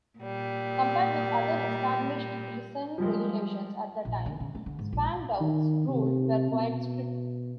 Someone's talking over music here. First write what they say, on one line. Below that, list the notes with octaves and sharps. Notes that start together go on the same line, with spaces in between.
Compared with other established prison regulations at the time, Spandau's rules were quite strict.
A#2 G3
F3 G3 G#3
A#1
D3
C#3
A3
D3
G#2
A#1
D#3
C3
B2